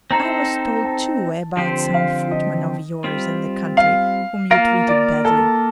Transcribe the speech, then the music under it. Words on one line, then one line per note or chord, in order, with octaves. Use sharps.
"I was told too about some footman of yours in the country whom you treated badly."
C4 D#4 A4 C5 A#5
A5
D3 F3 C4 G4 C5
F5
D#5
G3 C4 F4
F5
A#3 F4 A#4 F5
D5
A4